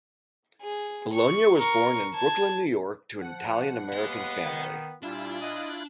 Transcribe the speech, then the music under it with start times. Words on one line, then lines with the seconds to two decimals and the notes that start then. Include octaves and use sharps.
Bologna was born in Brooklyn, New York to an Italian-American family.
0.62 G#4
1.13 C#6
1.57 A#4 C#6
2.14 A5 G#6
3.22 F3 F#5
3.94 D#2 B3 D#5 G#5
4.44 D#3
5.03 A#2 G3 D4 E4 F4
5.41 E4 F4 D#5 F#6